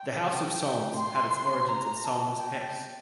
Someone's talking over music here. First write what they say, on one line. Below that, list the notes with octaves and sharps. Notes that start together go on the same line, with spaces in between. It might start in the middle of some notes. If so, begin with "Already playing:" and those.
The House of Solms had its origins at Solms, Hesse.
Already playing: G5
C6
A#5
A5
G5